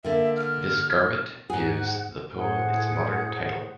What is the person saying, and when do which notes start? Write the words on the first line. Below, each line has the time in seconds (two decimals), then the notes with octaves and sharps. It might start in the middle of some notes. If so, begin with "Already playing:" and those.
This garment gives the poem its modern title.
0.05 D3 A#3 E5
0.37 F6
1.50 G#2 G#4 F#5
2.36 A2 G#4 C5 F#5